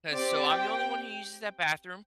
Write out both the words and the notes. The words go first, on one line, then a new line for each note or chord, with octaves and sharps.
'cause so I'm the only one who uses that bathroom,
C4 G4 D5
G5